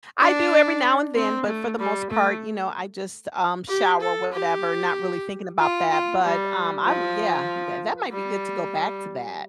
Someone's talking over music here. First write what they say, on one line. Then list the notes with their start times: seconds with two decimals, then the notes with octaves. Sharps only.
I do every now and then, but for the most part, you know, I just, um, shower, whatever, not really thinking about that. But, um, I yeah, that that might be good to go back to that,
0.20 D4
1.16 C4
1.47 A3
1.79 G3
2.10 A3
3.68 G4
4.01 A4
4.32 G4
5.59 F4
5.91 F4
6.23 G3
6.86 F3
8.12 G3